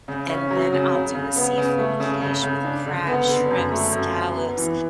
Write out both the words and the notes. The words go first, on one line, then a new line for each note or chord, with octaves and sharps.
And then I'll do a seafood quiche with crab, shrimp, scallops.
C#3
C#4
F#3
C#3
C#3
C#3
B3
C#3
A3
C#3
C#3
C#3
D4
D3
B3
D3
F#2
A3
F#2
F#2
B3
E3